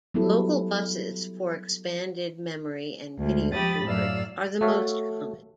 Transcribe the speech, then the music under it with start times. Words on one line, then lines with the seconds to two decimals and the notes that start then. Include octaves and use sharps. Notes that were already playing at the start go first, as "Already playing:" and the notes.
Local buses for expanded memory and video boards are the most common.
0.14 F#3 G3 B3 E4 A4
3.18 D2 G#3
3.52 F3 G4 B5 D#6 A6
3.84 F#2 A2 F#3 D5 F5 E6
4.61 A3 F#4 A4 C#5 E5 F5